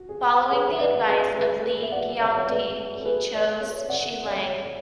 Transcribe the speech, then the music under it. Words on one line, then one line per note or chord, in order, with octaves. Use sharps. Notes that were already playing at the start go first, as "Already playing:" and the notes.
Following the advice of Li Guangdi, he chose Shi Lang.
Already playing: F#4
G#4
G#4 B4
F#5
E5
B4 D5
G#4 B4
G#4 B4
G#4 B4
E5
D5 F#5
C#5 E5
E5
B4 D5
A4
G#4 B4
B4 D5
C#5 E5
D5 F#5
D5
C#5 E5
C#5